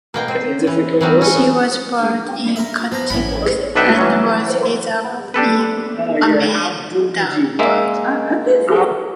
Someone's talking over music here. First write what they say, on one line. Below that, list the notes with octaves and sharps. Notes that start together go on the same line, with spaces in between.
She was born in Cuttack and was raised up in Ahmedabad.
B2 A#3 G5
C4
E3
E3 F#3 G3
C#4
B3
A#4 E5
F3 B3 A#5
A1 A2 C#4 E4 B5
B1 D4 B4 E5 F#5 G5
E3 F#3 C#4
D4 G4 A4 B4
G#3 A#3 E5